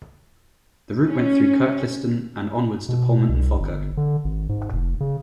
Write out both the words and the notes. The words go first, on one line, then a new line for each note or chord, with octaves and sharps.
The route went through Kirkliston and onwards to Polmont and Falkirk.
C#4
B2
C2
G1
D3
G#1
G#2
F1
C#3